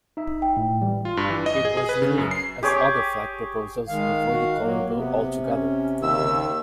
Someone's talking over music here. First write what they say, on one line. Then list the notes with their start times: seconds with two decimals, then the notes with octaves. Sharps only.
It was unique, as other flag proposals avoid the color blue altogether.
0.17 D#4 E5
0.42 G5
0.57 A2
0.81 E3 G3
1.05 F4
1.17 G2
1.30 E3
1.46 D#5
1.65 G#4
1.77 G#4
1.89 B4
2.02 C#3
2.18 F#2
2.31 C7
2.63 G4 G#4 C#5 D6
3.89 D#3 G#3 F5
4.28 F#4
4.61 F#3 A#3
4.93 C3 B3
5.42 C#4
6.02 D#2 C#3 E6